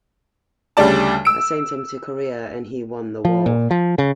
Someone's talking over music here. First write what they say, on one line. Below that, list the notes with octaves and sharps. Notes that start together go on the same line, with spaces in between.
I sent him to Korea and he won the war.
D2 C#3 G3 D5 A5
E6 D7
F3
A#2
F3
C#3